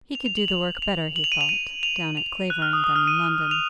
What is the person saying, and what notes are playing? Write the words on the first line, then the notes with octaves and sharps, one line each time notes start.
He could do the work better, he thought; down at Clavering than in London.
F7
F7
F#7
F7
F7
F#7
F7
D#7
F7
D#7
F7
F7
F#6
F6
D#6
D#6
F6
D#7
F7